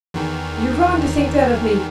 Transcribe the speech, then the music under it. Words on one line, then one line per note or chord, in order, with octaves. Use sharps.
You're wrong to think that of me...
E2 D#3